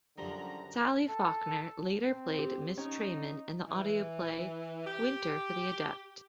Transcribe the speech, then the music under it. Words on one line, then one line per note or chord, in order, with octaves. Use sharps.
Sally Faulkner later played Miss Tremayne in the audio play "Winter for the Adept".
F#2 D3 F3 G3 A#5
A4
C4
G4
C#4 D#4 C#5 G5
E3
G4